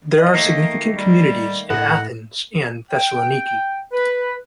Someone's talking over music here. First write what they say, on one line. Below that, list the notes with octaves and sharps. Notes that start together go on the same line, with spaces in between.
There are significant communities in Athens and Thessaloniki.
D#5
D#3 A3 A#3
G3
A2 F#5 A#6
G5
B4